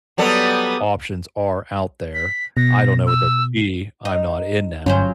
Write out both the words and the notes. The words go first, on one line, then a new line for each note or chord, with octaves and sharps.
options are out there. I don't know what that would be. I'm not in NASA.
F#3 G3 B3 A4 D#6
B6
B2 A#6
E6
D#4
G1 F#3 C#4 F4 C5